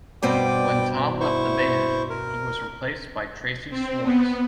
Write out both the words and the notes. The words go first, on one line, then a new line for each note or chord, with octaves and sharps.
When Tom left the band, he was replaced by Tracy Schwarz.
G2 B2 C4 D5 G5 D6
E4 C5 C#6
A#4
C4
B3